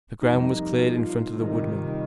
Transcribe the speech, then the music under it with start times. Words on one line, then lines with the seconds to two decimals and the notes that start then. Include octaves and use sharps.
The ground was cleared in front of the woodmen.
0.21 F2 C3 G3 A#3 D#4
0.78 F4
1.34 C3 D#3 G3